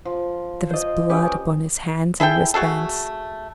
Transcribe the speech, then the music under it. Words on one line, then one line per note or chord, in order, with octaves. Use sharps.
There was blood upon his hands and wrist-bands!
F3
C5 D#5
C#4 G4 B4 D#5
E4 G#4 A4 G5
A3 F#4 G#4 A4